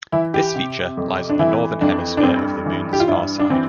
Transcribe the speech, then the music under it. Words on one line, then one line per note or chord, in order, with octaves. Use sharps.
This feature lies on the northern hemisphere of the Moon's far side.
E3 E4
G4
C3
F2
D4
E3 E4
F2 D4
D4
G2 C4
E3
G4
F4
G2 E4
D4
E3 C4